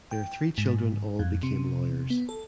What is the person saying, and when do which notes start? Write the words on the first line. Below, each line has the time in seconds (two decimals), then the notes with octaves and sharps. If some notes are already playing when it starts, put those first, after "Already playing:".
Their three children all became lawyers.
0.11 G5
0.58 G#2
1.19 F2
1.43 C3
2.10 B3
2.29 A4